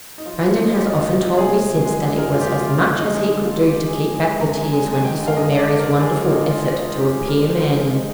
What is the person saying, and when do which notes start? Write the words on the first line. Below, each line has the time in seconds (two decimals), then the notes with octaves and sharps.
Brandon has often told me since that it was as much as he could do to keep back the tears when he saw Mary's wonderful effort to appear manly.
0.18 D#4
0.26 F3 F4
0.41 C3
0.47 F4
0.58 C3 D#4
0.69 F4
0.73 G#3
0.86 F4
0.89 C3 D#4
1.05 C3 D#4
1.22 C3 F4
1.38 C3 G#4
1.54 C3
1.69 C3
1.85 G#3
2.02 G#3
2.17 G#3 A#4
2.32 C3 F4
2.39 G4
2.49 G#3
2.60 F4
2.66 C3
2.81 D3 F4
2.97 D3 D#4
3.14 G#3
3.29 G#3 D#4
3.45 G#3 F4
3.62 G#3 G4
3.77 D3
3.87 G#4
3.93 G#3
4.09 G#3 G#4
4.24 G#3
4.40 D3 A#5
4.51 G#5
4.57 D3
4.72 G#3 G#5
4.88 G#3 G#5
5.05 G#3 G5
5.20 D3
5.27 F5
5.36 G#3 D#5
5.52 D3 D5
5.68 D3
5.79 A#4
5.84 D3
6.00 D3 G#4
6.16 G#3 F4
6.31 G#3 D#4
6.48 G#3 F4
6.64 G#3
6.70 D#4
6.79 D3 F4
6.95 D3 G4
7.11 G#3 G#4
7.27 G#3 A#4
7.44 G#3
7.50 C5
7.59 D3
7.76 G#3
7.91 G#3 D#4